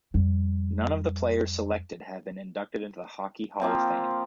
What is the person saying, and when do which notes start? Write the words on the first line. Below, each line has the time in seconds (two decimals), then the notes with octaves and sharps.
None of the players selected have been inducted into the Hockey Hall of Fame.
0.14 F2 G3
3.62 F3 A#3 C4